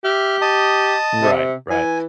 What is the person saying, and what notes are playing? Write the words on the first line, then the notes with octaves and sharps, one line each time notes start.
Right, right.
G4 E5 F6
D#5 A5 D#6
C3
E3 G#5